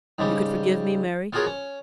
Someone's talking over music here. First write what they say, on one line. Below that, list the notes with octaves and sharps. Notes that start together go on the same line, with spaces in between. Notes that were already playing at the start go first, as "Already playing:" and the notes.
"You could forgive me, Mary?"
G#2 C#3 G3
B3 F4 F#4 G#4 A#4 C#5
C#4